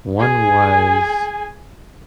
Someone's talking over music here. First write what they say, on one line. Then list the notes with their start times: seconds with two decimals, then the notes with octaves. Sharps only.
one was,
0.19 G#4 G#5